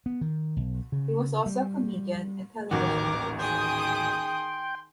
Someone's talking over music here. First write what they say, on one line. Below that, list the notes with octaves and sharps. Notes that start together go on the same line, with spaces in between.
He was also a comedian and television producer.
B3
D#3
B1
C#3
G3
D#1 A1 D#3 F#4 A#4 D6
D#3 G#4 G5 C6 D#6